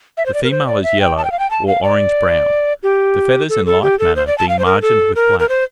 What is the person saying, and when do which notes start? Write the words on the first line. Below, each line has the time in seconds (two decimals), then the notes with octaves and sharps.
The female is yellow, or orange-brown, the feathers in like manner being margined with black.
0.17 E5
0.26 C5
0.34 D5
0.44 A#4
0.51 C5
0.67 D5
0.83 E5
1.00 G5
1.17 A5
1.24 G5
1.32 F5
1.39 G5
1.51 A5
1.67 F5
1.84 D5
2.83 G4
3.49 A4
3.66 A4
3.83 G4
3.99 A4
4.16 C5
4.27 D5
4.38 A5
4.49 F5
4.59 C5
4.65 A#4
4.82 A4
5.15 A#4
5.40 A#4
5.49 C5